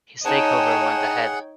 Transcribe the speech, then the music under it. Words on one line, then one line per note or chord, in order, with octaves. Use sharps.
His takeover went ahead.
D#4 G#4 C#5 F#5 G5 A5